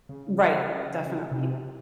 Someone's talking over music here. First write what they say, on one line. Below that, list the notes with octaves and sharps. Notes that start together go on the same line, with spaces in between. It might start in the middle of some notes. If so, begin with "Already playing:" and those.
Right. Definitely.
C#3
C3